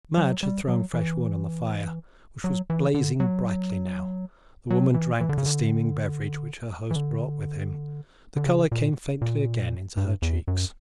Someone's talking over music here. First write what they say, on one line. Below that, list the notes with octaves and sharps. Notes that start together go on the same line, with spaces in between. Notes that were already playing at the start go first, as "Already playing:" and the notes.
Madge had thrown fresh wood on the fire, which was blazing brightly now. The woman drank the steaming beverage which her host brought with him. The colour came faintly again into her cheeks.
F#3
G3
F#3
E3
F#3
E3
D3
F#3
F#3
E3
E3
D3
C#3
D3
E3
D3
D3
C#3
A#2
A#2
G2
E2
F#2